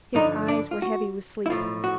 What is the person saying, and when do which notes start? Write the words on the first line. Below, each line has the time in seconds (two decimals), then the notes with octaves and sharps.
His eyes were heavy with sleep.
0.15 G2 D3 F3 D#4
0.48 D4
0.71 F4
0.82 F#4
1.46 E4
1.50 B1 A2 F3 F4
1.84 F#4